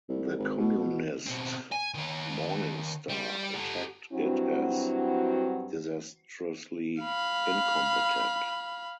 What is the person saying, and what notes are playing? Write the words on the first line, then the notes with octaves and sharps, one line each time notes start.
The Communist "Morning Star" attacked it as "disastrously incompetent".
C2
G#1
B2
B2 C4
G#5
D#3 C#5
G3
G4 A4
G2 F#3 C4 D4 E4 F#4
F5 B5